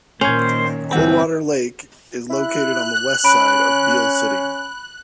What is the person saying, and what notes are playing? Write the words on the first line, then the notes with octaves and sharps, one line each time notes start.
Coldwater Lake is located on the west side of Beal City.
A#2 D#3 C#4 C5 G#6 F7
G1 E3 C4 F#5
E4 F#6
C#4 B5 D7